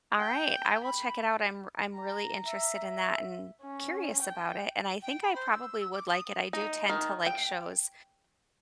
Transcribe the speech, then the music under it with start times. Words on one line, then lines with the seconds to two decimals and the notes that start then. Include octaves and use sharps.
Alright, I will check it out. I'm r I'm really interested in that and curious about it, and I think I probably would like it, I do tend to like shows
0.18 G5
0.84 B5
1.94 A#5
2.46 E5
3.62 C#4
4.22 G5
5.02 G5
5.22 B5
5.34 C5
5.50 E6
5.80 E6
5.92 D6
6.11 D#6
6.53 D#4
6.89 D#3
7.26 G5